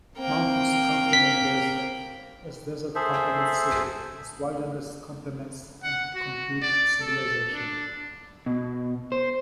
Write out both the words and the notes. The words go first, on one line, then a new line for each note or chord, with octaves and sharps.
Mountains complement desert as desert complements city, as wilderness complements and complete civilization.
A#3 C4 G5
B6
G#4 A4 C5 E5
F#5
F#4
D5
A4
D4
B2
C5